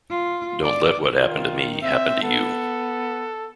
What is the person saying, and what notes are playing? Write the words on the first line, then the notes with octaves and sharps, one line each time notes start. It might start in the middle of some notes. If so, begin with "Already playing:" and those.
Don't let what happened to me happen to you.
F4
D5
D#3 F4
C4 E5
B3 A4